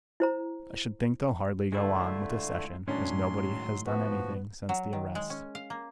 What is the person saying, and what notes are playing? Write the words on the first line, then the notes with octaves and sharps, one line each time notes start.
I should think they'll hardly go on with the Session, as nobody has done anything since the arrest.
E4 C5 A#5
D3 G#3 A3 E4 F4
A2 D#3 F#3 G#3 C#4 D4 C6
F3 B3 F#4
F#3
D#3
G#3
C#4
F5
A#3